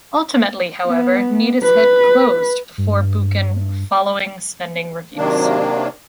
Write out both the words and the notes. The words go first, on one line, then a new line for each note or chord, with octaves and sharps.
Ultimately, however, Neatishead closed before Buchan following spending reviews.
B3
B4
G2
C3 D#3 F#3 A#3 D4